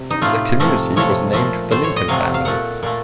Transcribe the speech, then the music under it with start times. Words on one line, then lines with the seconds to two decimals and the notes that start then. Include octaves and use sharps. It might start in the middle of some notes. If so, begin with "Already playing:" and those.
The community was named for the Lincoln family.
Already playing: C3
0.11 D#4
0.21 A2 A3 F4
0.60 C3 F3 A3
0.96 C3 F3 A3 C#5
1.33 A#2 F3 A3
1.71 A2 A3 C5
1.84 C#5
1.96 D#5
2.08 C3 F#3 A3 F5
2.34 F5
2.45 A#2 A3 F#5
2.83 A#2 A3